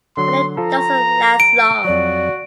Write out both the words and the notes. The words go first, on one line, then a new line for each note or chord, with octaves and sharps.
But it doesn't last long.
D3 F#3 C6
F3 F4 A4 A#5
D7
F2 F#3 F#4 D5